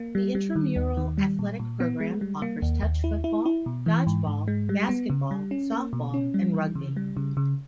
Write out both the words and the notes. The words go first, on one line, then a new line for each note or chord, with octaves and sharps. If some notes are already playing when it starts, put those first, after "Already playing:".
The intramural athletic program offers touch football, dodgeball, basketball, softball, and rugby.
Already playing: A#3
G3
G3
D#3
D#2
D#3
G3
A#2
A#2
B3
G#3
G3
A#3
D#2
D#2
E4
E4
E4
B2
E3
G#2
G#2
G#3
G3
B3
C#3
G3
C#4
A#3
B2
C#4
G3
E3
C#3
G3
C#3
C#3